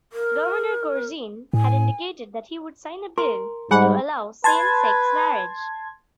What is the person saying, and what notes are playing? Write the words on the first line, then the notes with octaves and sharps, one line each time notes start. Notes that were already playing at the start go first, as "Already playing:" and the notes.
Governor Corzine had indicated that he would sign a bill to allow same-sex marriage.
A#4
A2 G#5
A#4 C6
G#2 G3 G#4 F#5 G#5 B5
B4 A5 C6 G#6